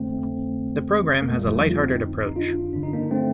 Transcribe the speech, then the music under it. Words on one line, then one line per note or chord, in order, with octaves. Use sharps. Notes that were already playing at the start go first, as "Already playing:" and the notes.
The programme has a light-hearted approach.
Already playing: F2 D3 A3 C4
F2 D3 A#3
A3
G3
F3 A3
D#4
F4
C4 D#4
D#4
D4 F4
G2 D3 D4
D#4
A#3 D4
A3 C4